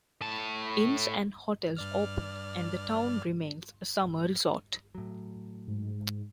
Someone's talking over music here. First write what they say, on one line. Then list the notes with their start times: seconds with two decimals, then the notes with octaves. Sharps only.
Inns and hotels opened, and the town remains a summer resort.
0.21 A2 A5
1.77 G2 D5 F6
4.95 A2 F#3
5.68 G#2